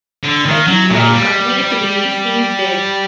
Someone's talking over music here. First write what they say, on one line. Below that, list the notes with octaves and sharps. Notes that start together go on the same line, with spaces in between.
Beckley's wife continues to believe he is dead.
D3
D#3
F#3
A#2
G3